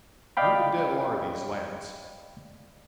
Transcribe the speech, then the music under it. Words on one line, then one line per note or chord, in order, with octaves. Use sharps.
Who the devil are these lads?
D5 D#5 F5 G5 B5